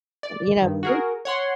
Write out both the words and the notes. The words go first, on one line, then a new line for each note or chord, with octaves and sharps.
you know, we
D5
G2 D#3
F#4 G#4 A#4
C#5 F#5 C6